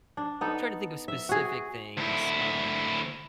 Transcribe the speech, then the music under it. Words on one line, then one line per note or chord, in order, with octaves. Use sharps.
trying to think of specific things, um
D4
B3 D#4 A4
E5
F#4 G#4
D2 E4